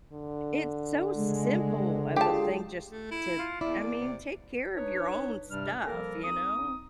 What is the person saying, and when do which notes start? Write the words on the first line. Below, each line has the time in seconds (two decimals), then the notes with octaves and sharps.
it's so simple of a thing just to, I mean, take care of your own stuff, you know.
0.12 D3
1.17 C#3 G#3
2.16 F4 G4 G#4 F5 A5
2.91 A3
3.11 E4
3.39 F4
3.61 E2 E4 D5
3.78 A#3
3.99 C3
4.75 D4 D#4 B4 C#5
5.48 G2 C3 G3 D4 F6
5.85 F3 G3 A#3 A4 A#4
6.24 C4 D#4 D#6